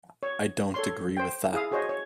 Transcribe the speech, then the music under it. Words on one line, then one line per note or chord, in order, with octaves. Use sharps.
I don't agree with tha.
C#5
A4 C#5 C6
C5 G5
E4 G#4 E5 F5 D#6
F#4 G#4 C5 C#5 D#5
C#5